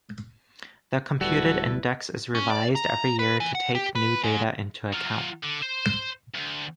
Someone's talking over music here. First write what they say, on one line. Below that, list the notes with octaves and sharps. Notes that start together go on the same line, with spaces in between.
The computed index is revised every year to take new data into account.
D1 G3 E4 F#4 A4 B4
C#4
D5
A#5
B4
E3
F#5
G4
B4
G#2
F#3 F4
D3
C5
D2